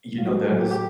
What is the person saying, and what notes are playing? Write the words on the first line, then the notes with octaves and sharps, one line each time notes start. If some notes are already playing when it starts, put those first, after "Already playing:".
you know, that is
A2 F#3 F4 F#4
G4
A4
A2 F#3 G#4
G4
G4